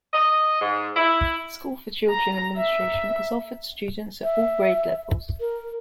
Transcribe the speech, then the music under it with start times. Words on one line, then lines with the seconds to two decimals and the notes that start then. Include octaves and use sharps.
School for Children admission is offered to students at all grade levels.
0.13 D#5
0.60 G#2
0.96 E4
2.10 A#5
2.57 E5
4.23 E5
5.40 A#4